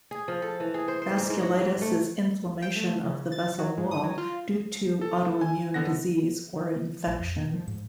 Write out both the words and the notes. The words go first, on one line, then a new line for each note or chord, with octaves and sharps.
Vasculitis is inflammation of the vessel wall, due to autoimmune disease or infection.
G#4
F3
A4
E3
G#4
C5
C5
G#2
G#2
F#4
G#2
A3
G5
A3
C#3
A6
F#3
G#2
D#6
F#3
F4
A4
G#5
D3 B3 F#5 A#6
A#1
F2
B2
F3
G#2